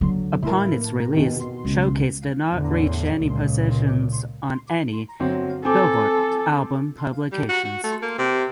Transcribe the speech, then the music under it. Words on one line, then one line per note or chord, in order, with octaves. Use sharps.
Upon its release "Showcase" did not reach positions on any "Billboard" album publications.
D3 F#3
A2 E4 A#4
A#3
E2 C3 D#3
B2
C#2
E2 A2 D3
C#2 A#2
G1 F#3 C4
C4 A4 G#5 D6
G3
F#4
F#4
A3
A#3
C3